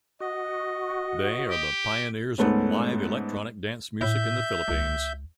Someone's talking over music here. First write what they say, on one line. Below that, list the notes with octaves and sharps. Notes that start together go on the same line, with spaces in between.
They are the pioneers of live electronic dance music in the Philippines.
F#4 D#5
G4
G#2 A3 B3 C#4
A2 E5 G6
C#2